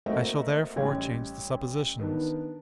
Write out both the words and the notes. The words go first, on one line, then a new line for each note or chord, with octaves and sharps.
I shall therefore change the suppositions.
A3 A#3 C4 F#4 D#5 E5
A1 G3 C#4 G#6
D#3 B3 D4